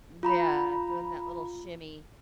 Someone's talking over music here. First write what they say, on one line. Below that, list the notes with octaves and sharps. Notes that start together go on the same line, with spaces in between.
yeah, doing that little shimmy.
F4 A#5 B5